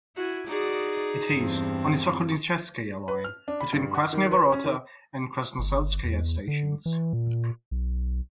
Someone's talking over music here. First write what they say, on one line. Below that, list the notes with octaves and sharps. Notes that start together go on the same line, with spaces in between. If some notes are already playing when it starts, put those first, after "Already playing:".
It is on the Sokolnicheskaya Line, between Krasnye Vorota and Krasnoselskaya stations.
E4 F#4 G#5
D#4 F#4 G#4 D5
E2 G2 C4
B4
F6
D4
B5
G2
F#5
D#3
B4
C#4
D#3
G1
E2
D3
E3
A#2
B1